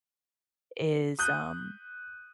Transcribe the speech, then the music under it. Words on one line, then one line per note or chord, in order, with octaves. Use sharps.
is, um,
D#6 F#6 G6